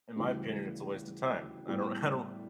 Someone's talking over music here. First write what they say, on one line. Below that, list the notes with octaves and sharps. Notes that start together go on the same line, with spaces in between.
in my opinion, it's a waste of time, I don't I don't
D2 C#3 E3 G3
A2 G3 B3